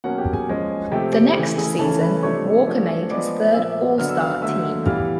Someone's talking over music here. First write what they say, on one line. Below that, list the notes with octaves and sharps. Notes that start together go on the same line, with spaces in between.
The next season, Walker made his third All-Star team.
B2 F#3 A#3 C#4 F#5
G4 G5
G#4 G#5
F3 G#3 C#4
C3 F3 A3 G4 G5
G4 G5
C#3 E3 A3
G#4 G#5
C#3 E3 A3 C#4 A4 A5
B4 B5
C3 F3 A3 D4 C#5 C#6
F3 A3 D4
F3 G#3 B3 D5 D6
A#2 F3 A#3 E5 E6
D3 F#3 B3 D4 F6
E6
F5 F6
D3 F#3 A3 E5 E6
E3 G3 B3 F5 F6